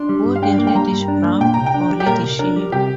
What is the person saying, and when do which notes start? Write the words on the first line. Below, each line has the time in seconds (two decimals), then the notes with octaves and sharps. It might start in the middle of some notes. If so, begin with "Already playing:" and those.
Body reddish brown or reddish yellow.
Already playing: D4 C6
0.09 G3
0.25 G2
0.36 F5
0.42 D4 G5
0.59 A#3
0.67 G5
0.75 G3 A#5
0.91 G2
1.08 D4
1.24 A#3
1.41 A#2 G5
1.54 C2 A#5
1.66 G5
1.74 D4
1.90 G3
2.00 G4
2.06 A#2 A#4
2.23 C2
2.39 D4 A#4
2.56 G3
2.72 C3 G4